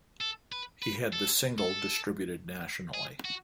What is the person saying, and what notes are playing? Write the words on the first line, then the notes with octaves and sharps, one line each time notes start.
He had the single distributed nationally.
A4
B4
B4
A4
A4
G#4
F#4